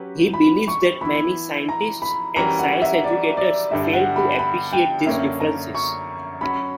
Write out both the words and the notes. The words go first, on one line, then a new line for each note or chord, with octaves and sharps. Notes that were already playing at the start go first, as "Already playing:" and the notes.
He believes that many scientists and science educators fail to appreciate these differences.
Already playing: F#3 C#4 G4 B4
B5
C#6
E3 B3 E4 B5
A#5
B5
E3 G3 C#4 F#4 A#4 A#5
F#5
E5
D5
D5
G2 D3 G3 E5
F#5
B5
B5
G5
F#2 D3 A#3 C#4 E5
A#5
C#6
F#3 C#4 F#4 B5